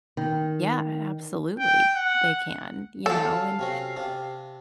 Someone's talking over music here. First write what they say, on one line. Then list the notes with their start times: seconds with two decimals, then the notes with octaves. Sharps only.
Yeah, absolutely, they can, you know? And
0.17 D#3
1.59 G5
1.95 F#5
3.06 D3 F#3 C#4 A4 F5
3.59 C3 C#4 F#4
3.96 C3 D4